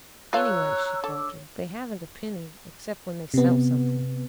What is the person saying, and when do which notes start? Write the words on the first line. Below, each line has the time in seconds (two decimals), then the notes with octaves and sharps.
"Anyway," she faltered, "they haven't a penny except when they sell something."
0.33 F4 A4 C#5 F5 A#5 E6 F#6
1.04 D4 A4 D6 E6
3.34 C3 B3